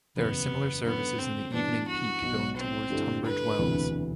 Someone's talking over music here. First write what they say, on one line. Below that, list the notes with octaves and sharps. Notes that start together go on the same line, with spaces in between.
There are similar services in the evening peak going towards Tunbridge Wells.
F#1 E2 B2 B3
F#2 D3 F#3 B3
C4
G2 E3 B3 D4
F#4
B1 B2 F#3
C4
G2 D3 A3 E4
B4
E1 D2 C3 E3